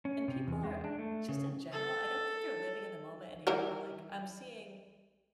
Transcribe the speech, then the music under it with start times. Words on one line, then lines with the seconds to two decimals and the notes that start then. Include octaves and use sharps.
and people are, just in general, I don't think they're living in the moment anymore, like, I'm seeing
0.05 C#4
0.28 C3
0.47 E2
0.63 G#3
0.84 D4
0.99 A3
1.29 C#3
1.72 A4
3.47 E3 G3 A#4